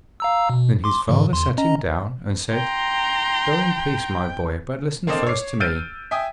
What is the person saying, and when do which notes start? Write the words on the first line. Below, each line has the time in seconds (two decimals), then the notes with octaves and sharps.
Then his father sat him down and said, 'Go in peace, my boy, but listen first to me.
0.20 F5 A#5 E6
0.49 B2
0.84 C6 D6
1.07 G#2 C#3 E3
1.33 E2 C6
1.58 C#4 D#5 A#5
2.53 G5 A#5 C6
5.07 A#3 C4 D4 A4 D#5 E7
5.27 C#5 D6 C7
5.60 E6 F6 G6 A6 D7 D#7
6.11 E5 G5 G#5 D#6